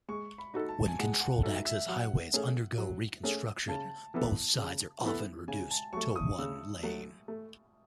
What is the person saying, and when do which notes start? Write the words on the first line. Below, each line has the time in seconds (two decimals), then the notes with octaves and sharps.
When controlled-access highways undergo reconstruction, both sides are often reduced to one lane.
0.08 G#3 C#6
0.38 B5
0.54 D#4 F#4 A4
0.69 A5
0.88 G#5
0.99 G#3 F#5
1.21 F#5
1.43 D#4 F#4 A4 E5
1.65 E5
1.88 F#3 F#5
2.33 A3 C#4 G#4
2.78 F#3
3.23 A3 C#4 G#4
3.68 C#3 A5
4.14 E3 B3 E4 A4
4.58 C#3
5.03 E3 B3 E4 A4
5.48 C#3 G#5
5.71 A5
5.93 F#3 A3 C#6
6.16 D#6
6.38 C#3 E6
6.83 F#3 A3
7.28 A3